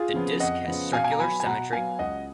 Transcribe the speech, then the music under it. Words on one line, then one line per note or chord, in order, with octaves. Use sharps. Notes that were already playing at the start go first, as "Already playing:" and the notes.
The disk has circular symmetry.
Already playing: F4 G#4
C#3 F3 B3
F2 D#5 F#5
C#3 F3 B3
B2 F5 G#5
G#5
A#5
F#3 B3 G#5 B5
G#5
B2 F#5 A#5
F#3 B3 F5 G#5
C#2 D#5 F#5